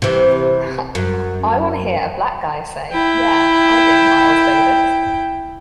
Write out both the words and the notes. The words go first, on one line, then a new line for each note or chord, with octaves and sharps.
I wanna hear a black guy say 'Yeah, I dig Miles Davis.
C3 E3
F#2
E4 G5